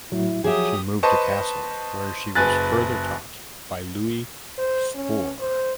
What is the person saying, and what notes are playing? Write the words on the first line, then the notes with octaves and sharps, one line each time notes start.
She moved to Kassel where she was further taught by Louis Spohr.
A2 F#3 E4 F#4
F3 F#3 G4 G#4 E5 D#6
B4 C5 D#5 A5 C#6
F#1 B4 G#5 F#6 A6
C5
C#4
C5